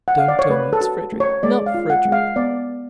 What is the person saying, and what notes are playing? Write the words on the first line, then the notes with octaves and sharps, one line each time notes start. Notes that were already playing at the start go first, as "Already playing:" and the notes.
Don't tell me it is Frederick--not Frederick.
F#5
F5
D5
C#5
A3 B4
A4
F#4
A3
C#5
G#3 D5
F5
F4
F#5
G#3
F5
B3 D5